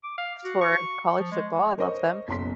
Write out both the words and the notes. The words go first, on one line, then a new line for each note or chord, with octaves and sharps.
for college football; I love them.
D6
F5
F#4
C#6
F3
G#3
A#4 C5 C#5 D#5 C#6
F#1 B1 C6 B6